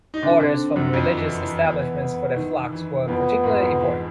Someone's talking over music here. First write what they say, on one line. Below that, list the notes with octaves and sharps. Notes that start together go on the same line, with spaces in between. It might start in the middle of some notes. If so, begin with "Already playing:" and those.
Orders from religious establishments for their flocks were particularly important.
D#4
D3 C4 D4
D3 D4
F#2 F#3
F2 F3
E3
E3
E3 B3
D#3
E3
F2 F3 B3
G#2 G#3
F2 F3
E3